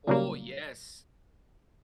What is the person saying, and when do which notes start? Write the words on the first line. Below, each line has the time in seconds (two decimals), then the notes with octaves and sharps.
Oh, yes.
0.07 A#2 C#3 F#3 G3 A#3